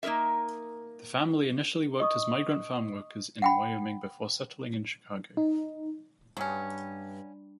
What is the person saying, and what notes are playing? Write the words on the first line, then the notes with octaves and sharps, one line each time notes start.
The family initially worked as migrant farm workers in Wyoming before settling in Chicago.
A#3 D#4 A4 A#4 E5
D#5 C#6 D#6
F#5 G5 B5
D#4
G2 F#3 C#4